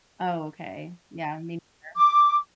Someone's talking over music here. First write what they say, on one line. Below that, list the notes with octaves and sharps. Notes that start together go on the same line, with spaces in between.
Oh, okay. Yeah. Mean girl.
D6